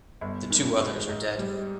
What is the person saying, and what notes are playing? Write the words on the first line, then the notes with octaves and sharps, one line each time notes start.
The two others are dead.
G1
D#3
G#3
G#2
G3